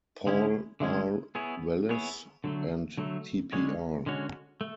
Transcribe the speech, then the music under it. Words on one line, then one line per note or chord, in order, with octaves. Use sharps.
Paul R. Wallace and Tpr.
D3 G#3 C#4 E4
D3 G#3 C#4 E4
B3 E4 G#4 C#5
B3 E4 G#4 C#5
D3 F#3 A3
D3 F#3 A3
D3 G#3 C#4 F#4 C#5
D3 G#3 C#4 F#4 C#5
A3